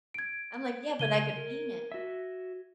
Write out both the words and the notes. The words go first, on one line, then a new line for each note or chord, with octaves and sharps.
I'm like, "Yeah, but I could paint it.
G#6 D7
C#3 G#6 D#7 G7
A#4
F#4 E5